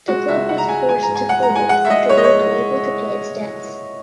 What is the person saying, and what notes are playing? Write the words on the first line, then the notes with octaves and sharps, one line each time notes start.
The club was forced to fold after being unable to pay its debts.
G#3 F#4
C#2 E5
C#2 F#5
A#5
G#3 G#5
G#3 G#5
A#5
G#2
G#5
G#3 F#5
A#5
G#3
G#5
G#3 F#5
E5
G#3 D#5
G#3 C#5
D#5
C#5